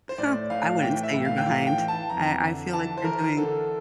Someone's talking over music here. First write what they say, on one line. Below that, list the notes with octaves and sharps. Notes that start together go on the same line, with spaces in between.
Uh, I wouldn't say you're behind. I I feel like you're doing
C5
A2 D5
A2 F5
E3 G5
E5
A2
F5
G5
E3 F5
G5
E3
A5
F2 A#5
D3
E3 A5
C5
E3 A#4
D3 A4